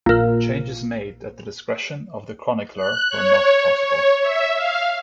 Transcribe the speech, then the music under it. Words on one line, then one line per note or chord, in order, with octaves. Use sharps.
Changes made at the discretion of the chronicler were not possible.
A#1 A#2
F#6
C#5
C#5
E5
F5